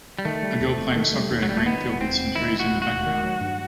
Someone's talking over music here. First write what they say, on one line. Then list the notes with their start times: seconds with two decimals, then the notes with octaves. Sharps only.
A girl playing soccer in a green field with some trees in the background.
0.19 G3
0.25 D#3 A3
0.43 G3
0.60 D#2
0.78 E1
0.96 D#3
1.13 G3
1.31 D#2
1.43 F#3
1.48 E1 G3
1.57 A3
1.65 D#3 B3
1.83 E1
2.01 D#2 C4
2.18 E1
2.35 D#3 E4
2.53 E1
2.60 F#4
2.71 D#2
2.82 F#4
2.88 E1
3.06 D#3
3.23 F#3
3.41 G2